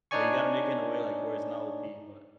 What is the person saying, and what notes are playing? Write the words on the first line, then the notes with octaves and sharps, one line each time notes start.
But you gotta make it in a way, like, where it's not OP, but
D4 D#4 C#5 D5 G#5 C#6